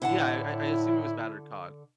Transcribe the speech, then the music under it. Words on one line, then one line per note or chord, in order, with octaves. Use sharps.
Yeah, I I I assume it was battered cod.
A2 D3 E4 F#5 A5